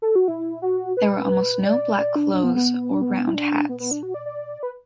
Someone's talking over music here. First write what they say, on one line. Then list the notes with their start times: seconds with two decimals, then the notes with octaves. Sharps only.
There were almost no black clothes or round hats.
0.02 A4
0.16 F#4
0.28 E4
0.62 F#4
0.97 B4
1.65 D5
1.98 D5
2.16 D4
2.33 D4
2.44 B3
2.56 B3
2.92 D4
3.02 B3
3.28 E4
3.34 D4
3.69 B3
3.80 B3
3.91 D4
4.03 F#4
4.14 D5
4.26 D5
4.63 B4